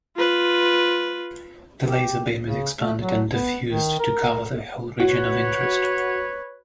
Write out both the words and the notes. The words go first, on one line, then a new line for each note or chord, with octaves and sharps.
The laser beam is expanded and diffused to cover the whole region of interest.
F4 B4
G4
C#3
A3
F#3
B3
D#3
A#4
F#4 B4 C#5